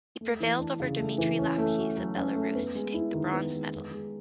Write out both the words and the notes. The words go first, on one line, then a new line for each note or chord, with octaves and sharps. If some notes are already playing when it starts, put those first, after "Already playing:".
He prevailed over Dmitry Lapkes of Belarus to take the bronze medal.
A3
E3
D4
C#3
A3
E3
C#4
A3
F#4
F#3
C#4
A3
B3
G#3
E4
D#3
B3
G#3
B3
G#3